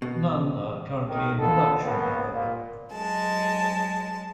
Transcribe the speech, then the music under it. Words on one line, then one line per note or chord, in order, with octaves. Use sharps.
None are currently in production however.
B2
B1 D#3
A#2 D3 B3 A4
C#2 A#3 B3
A#2
F#3 G#3 A5